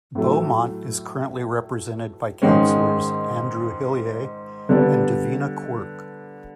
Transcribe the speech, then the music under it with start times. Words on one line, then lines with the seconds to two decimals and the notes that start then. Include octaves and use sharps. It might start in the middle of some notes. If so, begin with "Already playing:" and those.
Beaumont is currently represented by councilors Andrew Hillier and Davina Quirke.
0.15 A2 F#3 A3
2.42 G#2 D#3 G#3 C#4
4.69 D3 G3 B3 D4